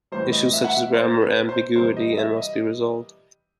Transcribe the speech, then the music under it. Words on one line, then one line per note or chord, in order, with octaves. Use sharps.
Issues such as grammar ambiguity must be resolved.
A2 E3 G3 C5
D#5
E5
F#5
E5
C5
B4
C5
C3 E3 G3 C5
D#5
E5
D#5